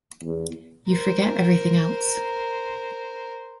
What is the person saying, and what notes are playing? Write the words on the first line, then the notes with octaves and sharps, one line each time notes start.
You forget everything else.
E2
A#4 C5